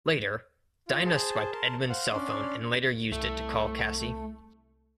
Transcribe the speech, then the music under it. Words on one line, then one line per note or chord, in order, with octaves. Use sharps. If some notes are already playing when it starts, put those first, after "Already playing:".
Later, Dinah swiped Edmund's cell phone and later used it to call Cassie.
F4
G#4 C5 A5
A#4 A5 C6
C5 F5 F#5
C#4 D4 D5 C6
C2 A3